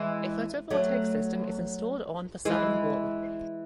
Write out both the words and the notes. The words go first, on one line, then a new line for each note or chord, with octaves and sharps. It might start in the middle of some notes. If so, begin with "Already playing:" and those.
A photovoltaic system is installed on the southern wall.
Already playing: E3 G#3
F#3 A3
E3 G#3